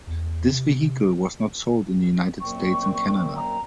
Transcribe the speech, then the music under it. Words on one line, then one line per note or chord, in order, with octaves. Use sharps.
This vehicle was not sold in the United States and Canada.
E2
C3
F#2 A#2 C4 C#6
A#5